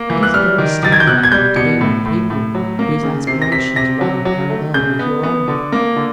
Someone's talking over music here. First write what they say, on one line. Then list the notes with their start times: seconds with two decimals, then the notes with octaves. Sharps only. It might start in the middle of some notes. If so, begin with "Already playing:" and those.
It is very stimulating to be with people whose aspirations run parallel with your own.
Already playing: A#3
0.10 E3
0.23 F#6
0.34 G3 F6
0.58 D#3
0.83 D#3 A6
0.92 G#6
1.00 G6
1.07 B2 F#6
1.23 G#6
1.32 G3 G6
1.56 B2 C#7
1.81 A2
2.06 A2
2.30 A2
2.55 F#3
2.79 A#3
3.03 C#3
3.27 C3 C7
3.42 A#6
3.52 C3 B6
3.76 C3 A#6
4.01 F#3
4.25 F#3
4.50 A3
4.74 C#3 G6
4.99 B3
5.23 B3
5.48 D3
5.72 A#3
5.96 D3